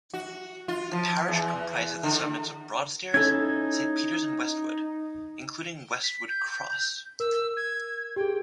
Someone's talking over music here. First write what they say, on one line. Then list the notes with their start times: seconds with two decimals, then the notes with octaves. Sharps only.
The parish comprises the settlements of Broadstairs, Saint Peter's and Westwood, including Westwood Cross.
0.14 F#4
0.68 F4
0.92 F3
1.28 E2
2.03 D3
3.14 C#4 D#4 E4 A4 G#6
6.03 B6
6.28 G6
7.20 A#4 E6
7.56 G#6
8.16 G4 G#4 G5